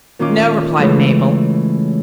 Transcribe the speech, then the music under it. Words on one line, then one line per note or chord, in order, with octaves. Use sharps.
"No," replied Mabel.
A#2 D#3 C#4 F4 D6
C#3 E3 G#3 A3